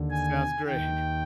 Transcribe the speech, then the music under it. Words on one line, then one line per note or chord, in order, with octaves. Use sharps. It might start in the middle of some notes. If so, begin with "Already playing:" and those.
Sounds great.
Already playing: D#2 D3
G#5
D#2 D#3 G5